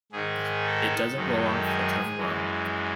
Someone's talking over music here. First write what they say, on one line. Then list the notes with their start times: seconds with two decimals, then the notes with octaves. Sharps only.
It doesn't roll off the tongue well.
0.12 G#2 D#3 G#3 G#4
0.64 A4
1.15 F#2 D#3 G#3
1.66 G#4
2.17 F#2 E3 G#3